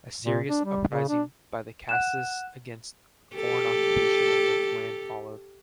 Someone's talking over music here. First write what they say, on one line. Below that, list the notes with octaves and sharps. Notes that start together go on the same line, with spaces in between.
A serious uprising by the Khasis against foreign occupation of their land followed.
A#2
D4
G3
C#3
D4
F#5 F#6 E7
G4 A4